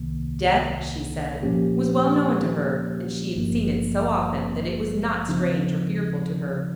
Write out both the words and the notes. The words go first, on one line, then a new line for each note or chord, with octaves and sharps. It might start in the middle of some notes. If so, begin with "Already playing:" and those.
Death, she said, was well known to her, and she had seen it so often that it was not strange or fearful to her.
Already playing: C2 C3 D#3 A#3
A#2 F3 A#3 C#4 G4
G#1 G2 F3 A#3 D#4
C#3 F3 C4 D#4